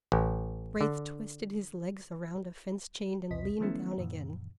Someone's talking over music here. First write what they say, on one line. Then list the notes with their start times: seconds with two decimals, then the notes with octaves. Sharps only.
Braith twisted his legs around a fence-chain and leaned down again.
0.12 A1
0.81 D3
3.31 B1 E2 C3 D#5 B6
3.60 D#3 F3 A3 B3 C#4 E4
3.98 F#2 A#2 D#3 E3